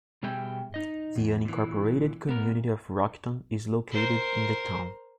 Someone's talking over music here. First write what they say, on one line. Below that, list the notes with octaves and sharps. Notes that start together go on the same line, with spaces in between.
The unincorporated community of Rockton is located in the town.
B2 G3 G#4 E5 G5
D#4 D#5
E2
A#2 E3
B3 A#4
A#4 C5